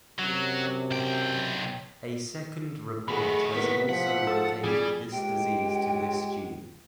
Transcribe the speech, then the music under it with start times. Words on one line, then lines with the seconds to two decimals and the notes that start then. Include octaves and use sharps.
A second report has also located this disease to this gene.
0.19 F#2 C3 F#3
0.91 B1 G5
3.08 D#3 A3 F#4 G#4 B5
3.54 A2 A#3 B3 A#4 B6
3.89 F3 F#5
4.27 A4
4.63 F2 G3 G#4
5.12 C#2 G#3 G4 G5